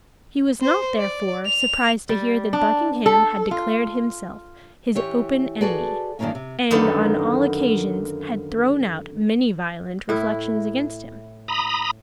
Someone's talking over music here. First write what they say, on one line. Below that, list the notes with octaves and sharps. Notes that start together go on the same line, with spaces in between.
He was not, therefore, surprised to hear that Buckingham had declared himself his open enemy, and, on all occasions, had thrown out many violent reflections against him.
C5
D5
F7
G3
D4
A4
F4
E3 G4 C#5
F#4 G#4 A4 B4 D5
G2 D#3 E3 A3 A#3 C#4
C3
F#2 D3 D#3 A#3 B3 D5
A2 E4
A#5 B5 D#6